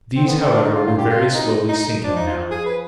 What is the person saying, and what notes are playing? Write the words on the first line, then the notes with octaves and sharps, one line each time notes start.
These, however, were very slowly sinking, now.
D3 C4
B3
C4
D4
D#4
F4
F4
G4
C3 F4
D#4
D#4
D#4
F3 D4
D#4
F4
F3 G#4
B4